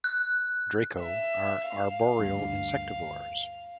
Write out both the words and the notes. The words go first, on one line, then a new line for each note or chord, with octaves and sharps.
"Draco" are arboreal insectivores.
F#6
E5
F5
D2 G2